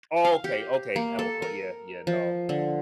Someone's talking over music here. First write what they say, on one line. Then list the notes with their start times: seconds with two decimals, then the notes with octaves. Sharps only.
Oh, okay, okay. Animal Cro yeah, yeah, no.
0.25 F5
0.44 G4
0.96 A#3
1.19 A4
1.42 A#4
2.07 F3
2.49 D3